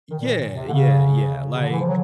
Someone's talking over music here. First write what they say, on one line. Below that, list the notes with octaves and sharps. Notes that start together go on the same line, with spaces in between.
Yeah, yeah, yeah. Like,
D#3
A#2
C3
D3
C#3
C#3
D3
E3
F3
F#3